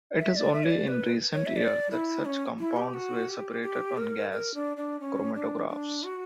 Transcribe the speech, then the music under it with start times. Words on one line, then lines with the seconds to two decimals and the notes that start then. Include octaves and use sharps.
It is only in recent years that such compounds were separated on gas chromatographs.
0.19 E5
0.36 D5
0.53 E5
0.64 C#5
0.71 D5
0.88 B4
1.33 C#5
1.46 E5
1.56 D5
1.91 E4
2.25 C#4
2.59 E4
2.77 G4
2.94 F#4
3.29 G4
3.63 G4
3.97 A#4
4.31 A#4
4.55 D4
4.77 D4
5.00 C#4
5.34 D4
5.69 D4
6.03 F#4